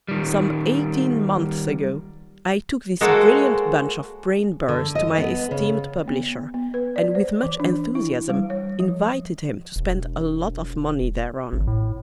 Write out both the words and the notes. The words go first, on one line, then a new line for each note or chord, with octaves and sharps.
Some eighteen months ago I took this brilliant bunch of brain burrs to my esteemed Publisher and with much enthusiasm invited him to spend a lot of money thereon.
D#3 G3
G#3 A#3 F#4 A4 A#4 C5
D3
D#5
B3
C#3
B3
B3
B4
D5
C5
E3
D4
E4
G3
C#5
F3
E1
G#1
A2